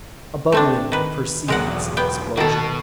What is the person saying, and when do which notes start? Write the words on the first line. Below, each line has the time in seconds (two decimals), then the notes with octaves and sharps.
A bubbling precedes an explosion.
0.52 A3 C4 D4
0.92 D#3 B4
1.48 B1 E2 G#3 A#4 F#5
1.97 B3 G5
2.37 B2 D#3 F#4 A4